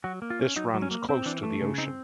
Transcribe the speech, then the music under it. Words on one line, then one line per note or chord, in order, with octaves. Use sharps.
This runs close to the ocean.
F#3 F#4
A#3
F4
C#4
F#3 D#4
F#3
C#4
A#3
C4
E3 D4
A3
C#3
C4 D#4